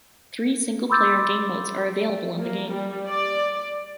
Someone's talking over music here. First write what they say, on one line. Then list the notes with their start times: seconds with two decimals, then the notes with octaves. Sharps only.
Three single player game modes are available in the game.
0.90 B5 C6 D6 E6 G6 A6
2.39 A#3
2.71 G3
3.08 D5